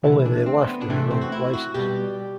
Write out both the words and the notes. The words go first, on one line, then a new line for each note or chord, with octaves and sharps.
Only they laughed in the wrong places.
C3 E3 A3 E4
D4
C4
B3
D4
C3 E3 A3 C4
C4
F#4
E4
F#4
B2 G3 G4